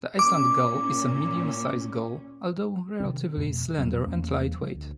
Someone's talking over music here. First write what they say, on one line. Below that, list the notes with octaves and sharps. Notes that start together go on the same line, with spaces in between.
The Iceland gull is a medium size gull, although relatively slender and light-weight.
A#2 C#4 D6
C3 D#3 C4
F2 B2 A3
E2 G2 A#2 F#3
E2 A3 A#3 C#4
F3
D2